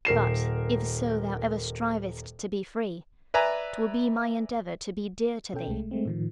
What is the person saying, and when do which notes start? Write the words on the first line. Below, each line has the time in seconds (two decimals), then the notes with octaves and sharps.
But, if so thou ever Strivest to be free, 'Twill be my endeavour To be dear to thee.
0.05 D#1 A#4 C7 E7
3.34 B4 D5 E5 G#5 A#5
5.54 B2 C#4 A4 G5
5.67 C2 G#3 A3
5.91 G#3 A3 C4
6.05 A2 D#3 F3